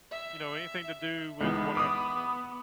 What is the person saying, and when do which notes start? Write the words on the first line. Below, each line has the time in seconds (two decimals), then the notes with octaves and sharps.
you know, “Anything to do with whatever,
0.12 E5
1.41 C#2 D#3 E3 B3
1.75 B5 D6 D#6